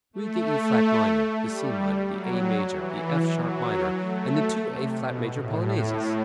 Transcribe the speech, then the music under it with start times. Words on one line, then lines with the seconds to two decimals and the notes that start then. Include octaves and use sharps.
Read the E flat minor, the C minor, the A major, the F sharp minor and the two A flat major Polonaises!
0.13 A3
1.43 G3
2.07 F#3
2.72 E3
3.36 F#3
4.00 A3
4.65 C3
4.97 B2
5.30 A2